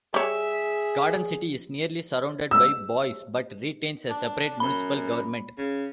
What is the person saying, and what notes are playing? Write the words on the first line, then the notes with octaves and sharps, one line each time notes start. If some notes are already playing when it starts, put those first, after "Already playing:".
Garden City is nearly surrounded by Boise but retains a separate municipal government.
G3 G#4 C#5 E5
E6
D4
F#2 B5
C#3